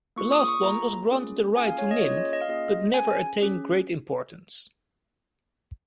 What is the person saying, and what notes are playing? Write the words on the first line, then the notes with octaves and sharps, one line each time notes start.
The last one was granted the right to mint but never attained great importance.
A#3 F4 G#4 C#6
D#6
C#6
A#3 F4 G#4 A#5
A#3 C#4 F4 G#4
A#3 C#4 F4 G#4 G#5
F5
C#5
D#5
A#3 C#4 F4 G#4 C#5
D#5
D#5
F5
A#3 C#4 F4 G#4 D#5
C#4 G#4 G#5
C#4 G#4